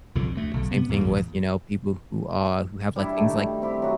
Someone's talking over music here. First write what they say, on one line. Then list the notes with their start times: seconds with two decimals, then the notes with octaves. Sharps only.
Same thing with, you know, people who, uh who have like things like
0.15 C2 F2 A#2 D3
0.35 D2 A3
0.54 B1 D3
0.71 C3 B3
0.89 E2 G#2 C#3 A#3
1.05 A#1 E2
2.96 G3 D4 E4
3.17 D#3 A3
3.34 G3
3.62 C4 E4 G4
3.82 F#3 F#4